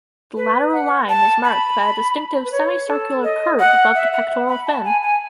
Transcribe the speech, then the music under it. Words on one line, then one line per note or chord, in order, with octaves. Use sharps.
The lateral line is marked by a distinctive semi-circular curve above the pectoral fin.
B4
F#5
A5
B5
B4
C#5
A4
D#5
F#5
E5
F#5
B5
A5
G#5
G#5